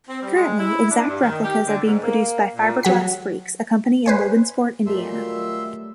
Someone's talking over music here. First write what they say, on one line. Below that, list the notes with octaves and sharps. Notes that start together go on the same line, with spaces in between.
Currently, exact replicas are being produced by Fiberglass Freaks, a company in Logansport, Indiana.
C4
G3
G#3
E4
D4
G2
D#3
G4
D3
G#2
A#3
A#2
F#3 F#5 B6
B4 C5 G#5
A#2 D#3 F#3 G3 A3 E5 C6 E6